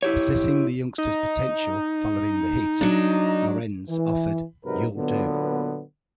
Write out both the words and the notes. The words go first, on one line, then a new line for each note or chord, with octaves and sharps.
Assessing the youngster's potential following the hit, Morenz offered, "you'll do".
E4 G4 C#5
D#4
F#3 D4
E3
G#2 C3 F#3 D#4 A#4 B4
A#2 D3 F#3 B3